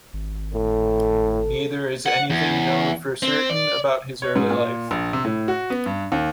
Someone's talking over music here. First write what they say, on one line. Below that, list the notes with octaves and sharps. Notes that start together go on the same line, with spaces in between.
Neither is anything known for certain about his early life.
G#1
A2 A4
F#5
E2
C4
D5
C#5
G#2
A#2
A#1
C3
A2
F#4
B3
G2
D#2